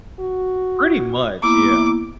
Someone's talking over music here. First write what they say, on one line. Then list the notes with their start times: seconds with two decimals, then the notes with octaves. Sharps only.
pretty much, yeah.
0.20 F#4
1.43 A#3 B3 E4 D6